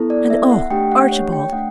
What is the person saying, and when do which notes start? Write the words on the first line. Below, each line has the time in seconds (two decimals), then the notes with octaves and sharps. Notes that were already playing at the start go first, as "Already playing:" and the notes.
And, oh, Archibald!
Already playing: B3 E4 A4
0.10 D5
0.30 E5
0.51 F#5
0.70 A3 D4 G4 G5
0.92 F#5
1.12 C#5
1.32 G5
1.52 A3 D4 F#5